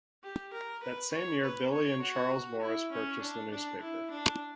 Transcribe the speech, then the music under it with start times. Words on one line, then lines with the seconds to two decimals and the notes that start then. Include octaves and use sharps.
That same year, Billy and Charles Morris purchased the newspaper.
0.23 G4
0.53 A#4
0.83 B4
1.13 C#5
1.43 B4
1.73 C#5
2.02 F#4
2.62 E4
2.92 C#4
3.22 D4
3.51 D4
3.81 E4
4.11 D4